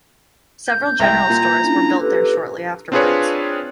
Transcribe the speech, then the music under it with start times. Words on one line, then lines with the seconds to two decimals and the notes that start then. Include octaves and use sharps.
Several general stores were built there shortly afterwards.
0.66 G6
1.00 C2 E5 G5 A#5
1.30 A#2
1.64 C#4 D4 E4
2.00 G4 A4 B4
2.92 C4 D4 F4 G#4 B4 C#5